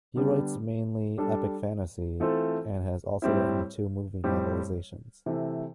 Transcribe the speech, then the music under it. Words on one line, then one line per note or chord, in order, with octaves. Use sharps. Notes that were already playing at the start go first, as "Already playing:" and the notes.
He writes mainly epic fantasy, and has also written two movie novelizations.
D3 G3 B3 D4
G3 D4 A4
E3 A3 C4 F4 A4
A2 G3 C4 E4
A2 G3 C4 G4
C3 E3 A3